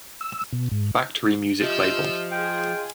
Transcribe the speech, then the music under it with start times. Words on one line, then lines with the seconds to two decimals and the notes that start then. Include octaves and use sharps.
Factory music label.
0.21 E6
0.53 B2
0.71 G#2
1.62 F3 G4 D#5 E5 E6 F6 G6
2.32 F4 G#4 D#5 G5 C6 F6